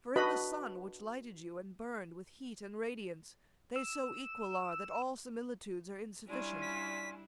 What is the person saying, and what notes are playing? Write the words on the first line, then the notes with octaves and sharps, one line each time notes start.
For in the Sun, which lighted you and burned With heat and radiance, they so equal are, That all similitudes are insufficient.
D4 F#4 B4 D#5 B5
E6
G3 C#4 D4 E4 F4 G#5
B6